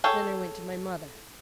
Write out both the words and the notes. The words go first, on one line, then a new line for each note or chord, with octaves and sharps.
Then I went to my mother.
G#4 A4 C#5 G5